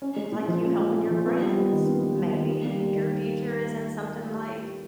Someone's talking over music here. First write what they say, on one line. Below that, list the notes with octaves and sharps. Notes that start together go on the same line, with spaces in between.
like you helping your friends, maybe your future is in something like
C#4
G#3
A#2
F3
C#4
G#3
A#2
F3
B3
G3
D#2
D#3
B3
G3
D#2
D#3
A#3
G3
D#2
D#3
A#3